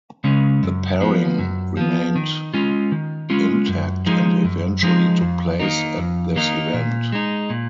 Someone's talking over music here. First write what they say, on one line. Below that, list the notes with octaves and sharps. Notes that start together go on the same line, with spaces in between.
The pairing remained intact and eventually took place at this event.
C#3 G#3 C#4
F#2
F3 B3
F#2
F3 B3
D#3
G#3 C#4 F4
D#3
G#3 C#4 F4
F#2
F3 G#3 D#4
F#2
F3 G#3 D#4
F2
D#3 A#3 D#4
F2
D#3 A#3 D#4
A#2
G#3 D#4
A#2